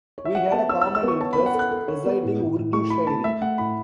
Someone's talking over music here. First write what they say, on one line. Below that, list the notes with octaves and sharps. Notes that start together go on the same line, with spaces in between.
We had a common interest -- reciting Urdu shairi.
C#5
E5
C#5 F#5
B3 A5
C#5 E6
E6
C#5
E6
B3
C#6
C#5 A5
B5
B3
F#5
A4
F#6
A4
C#5
B3
A2
A2
A2
A3 C#6
E4 B5
A3 A5
A3 E5
A3 F#5
A2 B5